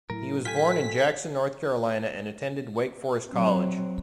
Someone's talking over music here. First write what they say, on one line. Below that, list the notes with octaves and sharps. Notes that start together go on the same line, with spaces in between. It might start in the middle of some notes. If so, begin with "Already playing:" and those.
He was born in Jackson, North Carolina and attended Wake Forest College.
A2 F#3 A3 E4 A#4
F4 G4 A4 G#5 B6
F#3 C4